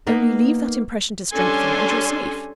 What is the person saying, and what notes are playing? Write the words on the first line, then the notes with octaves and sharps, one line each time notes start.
Only leave that impression to strengthen, and you're safe.
A#3 B3 D#4
G3 C#4 D4 A4 G#5 C6